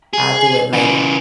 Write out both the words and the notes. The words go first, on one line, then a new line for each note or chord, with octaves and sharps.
I'll do it later."
G#4
C#3 E3